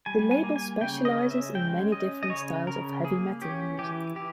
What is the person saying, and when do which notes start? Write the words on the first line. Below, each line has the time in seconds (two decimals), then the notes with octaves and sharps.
The label specializes in many different styles of heavy metal music.
0.06 G3 G#5
0.31 G#5
0.43 A#3
0.56 G#5
0.81 C#3 G5
1.05 D#5
1.18 C#4
1.31 E5
1.55 G#3 G5
1.92 C#4 D#5
2.23 D#5
2.29 C#3 C#5
2.67 C#3 A#4
3.04 A#3 G#4
3.42 C#4 G4
3.79 E3 G4
4.16 E3 G4